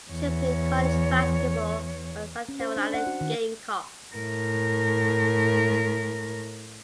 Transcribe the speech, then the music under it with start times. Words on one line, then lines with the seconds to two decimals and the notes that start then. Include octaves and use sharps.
She played college basketball for the South Carolina Gamecocks.
0.11 E2 C#5
2.49 C#4
2.60 C5
2.77 D4
2.94 F#5
3.07 F#4
3.21 D#3
4.16 A2 A#4